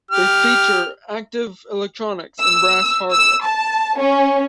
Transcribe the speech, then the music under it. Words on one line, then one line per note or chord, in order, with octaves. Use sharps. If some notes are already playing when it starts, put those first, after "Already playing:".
They feature active electronics and brass hardware.
G4 F6
E6
E6
A5
C#4